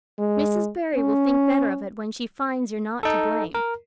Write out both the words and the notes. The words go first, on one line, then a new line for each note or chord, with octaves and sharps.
Mrs. Barry will think better of it when she finds you're not to blame.
G#3
C#4
D#4 A4
A#4